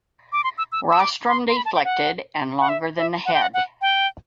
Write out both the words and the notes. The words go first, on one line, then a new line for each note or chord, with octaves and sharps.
Rostrum deflected and longer than the head.
D6
C6
E6
E6
E6
D6
C6
C6
B5
A5
G5
F#5
F#5
E5
E5
F#5
G5
F#5
F#5
G5